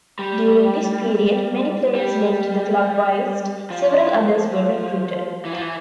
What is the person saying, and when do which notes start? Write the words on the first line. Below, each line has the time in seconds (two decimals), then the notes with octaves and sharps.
During this period, many players left the club whilst several others were recruited.
0.19 G3
1.95 G3
3.70 F3
5.45 E3
5.53 F3
5.61 E3